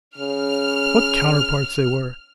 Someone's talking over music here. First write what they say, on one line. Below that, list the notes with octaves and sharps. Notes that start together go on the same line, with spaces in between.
What counterparts they were!
C#3 F6